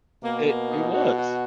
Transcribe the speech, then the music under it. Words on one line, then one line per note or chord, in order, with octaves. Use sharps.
it it was.
B2 A#3
A#3
D#4
F#4
F#4